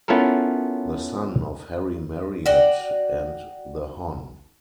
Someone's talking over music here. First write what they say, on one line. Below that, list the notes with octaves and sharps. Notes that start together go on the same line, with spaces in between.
The son of Harry Marriott and The Hon.
B3 C#4 E4 F4 A4 A#4
F#4 D5 F#5 G5